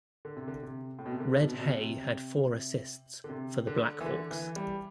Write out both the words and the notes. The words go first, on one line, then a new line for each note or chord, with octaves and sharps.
Red Hay had four assists for the Black Hawks.
D3
C3
D3
C3
A2
B2
C3
D3
B2
C3
B2
C3
D3
C3
D3
E3
D3
E3
G3